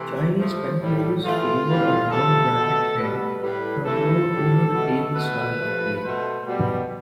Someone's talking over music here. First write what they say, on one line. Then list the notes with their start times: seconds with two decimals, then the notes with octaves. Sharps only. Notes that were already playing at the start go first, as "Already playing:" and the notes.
Chinese penholders favour a round racket head, for a more over-the-table style of play.
Already playing: C3 E3 A3
0.37 G2 F3 A3
0.80 A2 G3
1.24 A2 E3 A3 F4
1.67 A2 E3 G3
2.11 G2 F3 A3 A4
2.54 B2 A3
2.98 B2 G3 B4
3.41 A2 G3 B4
3.85 G2 E3 A3 A4
4.29 A2 G3
4.72 B2 A3
5.15 B2 A3 B4
5.59 G2 F3 A3
6.03 B2 A3 C5
6.46 B2 G3